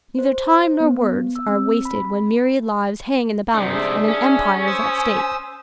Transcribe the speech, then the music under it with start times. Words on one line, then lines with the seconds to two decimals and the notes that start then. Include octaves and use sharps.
Neither time nor words are wasted when myriad lives hang in the balance and an empire is at stake.
0.19 C5
0.80 B3
1.36 E6
1.48 C4
1.85 B5
3.54 C3 D4 D#4
3.73 D4 G#4 E5
4.08 C#4
4.67 C5 D#6 E6